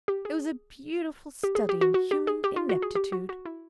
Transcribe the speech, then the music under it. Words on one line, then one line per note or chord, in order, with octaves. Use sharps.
It was a beautiful study in human ineptitude.
G4
G#4
G4
G#4
G4
F#4
F#4
G4
G#4
G4
F4
F#4
G#4
G4
F#4
F#4
E4